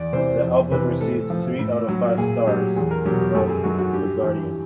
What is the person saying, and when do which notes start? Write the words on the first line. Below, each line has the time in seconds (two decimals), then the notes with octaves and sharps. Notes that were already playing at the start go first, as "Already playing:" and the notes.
The album received three out of five stars from "The Guardian".
Already playing: E2 D5
0.13 C3 E3 C5
0.42 F2
0.71 C3 E3 B4
1.01 A2 A4
1.30 F3
1.59 A2
1.88 F#3
2.17 A#2 G#4
2.47 F#3 G4
2.76 E2 G#4
2.91 A#4
3.06 B2 F#3 G4
3.21 G4
3.35 F#2 A4
3.49 G#4
3.64 D#3 F#3 F#4
3.79 F#4
3.93 G2 G4
4.23 E3 G4